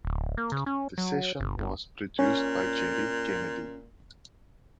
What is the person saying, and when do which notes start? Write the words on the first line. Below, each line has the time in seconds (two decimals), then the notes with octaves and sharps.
The session was produced by Jerry Kennedy.
0.05 D1
0.37 A#3
0.52 C#3
0.66 C#4
0.98 F#3
1.40 G1
1.58 G1
2.19 A#2 C#4